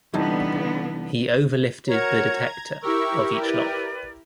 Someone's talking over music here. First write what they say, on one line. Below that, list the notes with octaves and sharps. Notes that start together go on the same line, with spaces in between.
He overlifted the detector of each lock.
C2 D3 E3 G3 B3 D#4 A5
F#4 A#4 C#5 A#5 G#6
E4 G4 A#4 C#6 E6
B4 D5